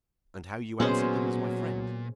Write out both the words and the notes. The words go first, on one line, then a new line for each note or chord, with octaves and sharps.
"And how you answered them as my friend."
A#2 F#3 G#3 B3 C#4 C5